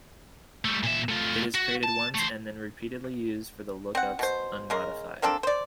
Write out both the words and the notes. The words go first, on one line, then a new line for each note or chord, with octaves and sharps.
It is created once and then repeatedly used for the lookups unmodified.
G3 A3
A#2 E5
A3 F4
F#4
A5
A3 C5
C4 F#5
B2 C5
C#3 G#3 A#4
A#3 C4 D4 A4
C5 D5